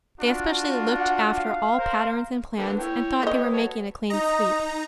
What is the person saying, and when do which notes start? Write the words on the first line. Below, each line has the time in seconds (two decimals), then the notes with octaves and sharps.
They especially looked after all patterns and plans and thought they were making a clean sweep.
0.20 D4 F4 F#4
0.97 F#5
1.38 F5
1.77 A#4 C5
2.58 D3 A#3 B3 B4
2.79 E4 C#5 G5
3.23 A#3 B4 D#5
3.53 F#4 A4 C#5
4.10 D#4 D#5 A#5